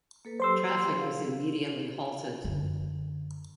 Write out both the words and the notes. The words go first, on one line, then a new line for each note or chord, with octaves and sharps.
Traffic was immediately halted.
A#3 A4 B4
F#3 G4 C5 C6 E6
G#4 F5
F#2 D3